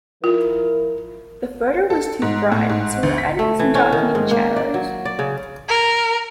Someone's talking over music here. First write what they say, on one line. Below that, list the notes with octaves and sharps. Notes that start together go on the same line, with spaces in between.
The photo was too bright so we're adding some darkening shadows.
F3 E4 F4 A#4
A4
G#2
A2
G#2
D2
B6
A3
E3
C#4
D#3
G#2
A#3
D5
F#3
D5
C#3
A#4